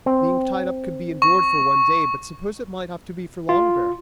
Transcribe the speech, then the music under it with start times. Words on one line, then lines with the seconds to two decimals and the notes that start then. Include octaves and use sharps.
Being tied up could be endured for one day, but suppose it might have to be for longer?
0.06 C4
1.22 C#6
3.49 F4